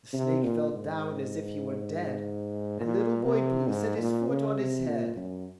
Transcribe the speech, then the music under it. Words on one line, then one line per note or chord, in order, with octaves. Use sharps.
The snake fell down as if he were dead, And Little Boy Blue set his foot on his head.
C3
A#2
G#2
A#2
C3
G#2
A#2
C#3
C3
A#2
F#2